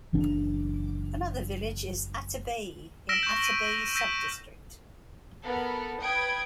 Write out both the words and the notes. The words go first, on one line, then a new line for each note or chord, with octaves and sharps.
Another village is Atabae in Atabae Subdistrict.
F#1 E3 C#4 D4
E6 F6 A#6 B6 D7 E7
C#6 G6
D#7
E6 G6 A#6 B6 D#7
B3 A4 A#4
B4 G5 D#6 G6 G#6 D7